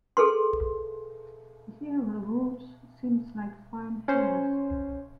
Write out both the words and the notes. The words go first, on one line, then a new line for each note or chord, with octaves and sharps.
The aerial roots seem like fine hairs.
G#4 A4 B4 C6
C#4 C5